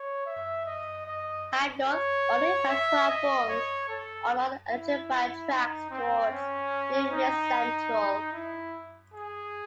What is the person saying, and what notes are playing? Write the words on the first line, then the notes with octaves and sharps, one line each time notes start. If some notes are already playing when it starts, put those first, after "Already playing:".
Hyde North only has platforms on the non-electrified tracks towards New Mills Central.
Already playing: C#5
E5
D#5
D#5
C#5
E5
D#5
C#5
A4
E4
D#4
C4
C#4
D#4
E4
G#4